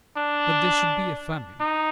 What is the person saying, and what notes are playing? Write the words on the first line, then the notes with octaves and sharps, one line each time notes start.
"That there should be a famine!"
D4
D#4